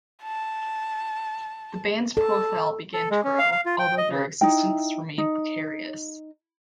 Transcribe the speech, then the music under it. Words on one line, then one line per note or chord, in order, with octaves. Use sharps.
The band's profile began to grow, although their existence remained precarious.
A5
A4 A5
A4
G#3
C#4
F5
F5
F4
G5
D#5
C#3
D#4 E4 G5
D#4